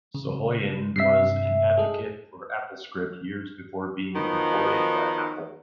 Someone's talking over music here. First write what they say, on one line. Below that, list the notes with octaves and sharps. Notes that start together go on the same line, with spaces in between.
Soghoian was an advocate for AppleScript years before being employed by Apple.
C#3
G2 C3 E5 B6 C7
G#4 A4 D#5
D#3 F3 B3 D#4 F#4